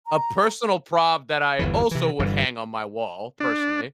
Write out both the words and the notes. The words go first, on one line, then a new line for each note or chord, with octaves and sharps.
A personal prop that I also would hang on my wall, personally,
A#5
G1 E2 E3
C3 E3
G1 G2 D3 E3
D4